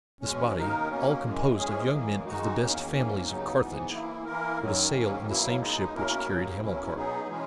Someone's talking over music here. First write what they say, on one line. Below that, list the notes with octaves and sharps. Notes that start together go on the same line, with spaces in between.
This body, all composed of young men of the best families of Carthage, were to sail in the same ship which carried Hamilcar.
E2 B2 G#3 C#4
D#2 D#3 A#3 D#4 A#4
B2 A#3 C#4
F#2 E3 G#3
G#2 E3 G#3 C#4 G#4
F#2 E3 A#3
D#3 G#3 D#4 F#4
E2 D#3 A#3 C#4
G#2 E3 A#3 C#4
D#2 C#3 F#3 B3 D#4
G#2 E3 B3
E3 A#3 E4
E3 A#3 E4 A#4
F#2 D#3 F#3
G#2 D#3 A#3 C#4
B2 F#3 A#3 E4
B2 G#3 D#4
B2 A#3 C#4 E4 A#4
D#2 C#3 F#3 A#3
B2 F#3 C#4 E4
B2 F#3 B3 D#4 G#4
E3 G#3 C#4